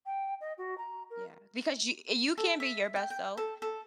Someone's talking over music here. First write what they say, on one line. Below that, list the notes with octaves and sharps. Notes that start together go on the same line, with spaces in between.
Yeah. Because you you can't be your best self,
G5
D#5
F#4
A#5
A#4
A4
E5
G5
G5
A4
A4